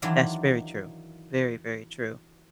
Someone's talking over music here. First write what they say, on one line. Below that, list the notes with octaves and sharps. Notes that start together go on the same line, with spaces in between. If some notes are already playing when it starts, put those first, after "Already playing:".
That's very true. Very, very true.
D#3 E3 F#3 D4 E4 F4